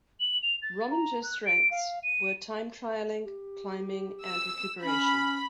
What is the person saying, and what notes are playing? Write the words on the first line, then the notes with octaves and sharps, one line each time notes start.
Rominger's strengths were time-trialling, climbing and recuperation.
F#7
F7
A6
A#5
F#6
D7
F5
D#7
G4
E6
C#4 B5